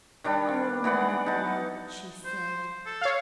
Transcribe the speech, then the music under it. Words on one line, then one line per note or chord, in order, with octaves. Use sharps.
"Oh, my love!" she said.
D#3 G3 D4
E3 B3 D5 F#5
D#4 A5
C5
A4
C#5 F5